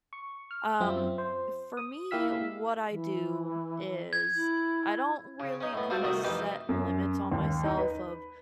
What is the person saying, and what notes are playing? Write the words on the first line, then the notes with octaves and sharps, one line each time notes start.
Um, for me, what I do is I don't really kinda set limits on myself of,
C#6
F6
F#2 C4 F4 E5
C5
D#6
A#3 E4 G4 F5 E6 B6
E3
G#6
E4
C#3
C#4 D#4
A2 B3
G3 C4 F4 F#4
C2 D#3 A3 F#4 D#6
F2 E3 D#4 G4 F5
F#2
D#2
D#4
B4